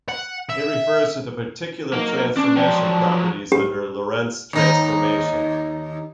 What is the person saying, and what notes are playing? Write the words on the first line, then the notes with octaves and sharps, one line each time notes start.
It refers to the particular transformation properties under Lorentz transformation.
F#5
E5
F#3 A#3 D#4 F#4
C#4 D4
F3 F#3 D5 G5
G4
D#2 D#4